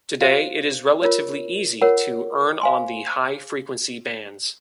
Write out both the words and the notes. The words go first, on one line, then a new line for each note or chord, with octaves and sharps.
Today it is relatively easy to earn on the high frequency bands.
F#4 C5 F5
F4 A#4 C#5
F4 A#4 C#5 F#5
C5 F5 G#5 C6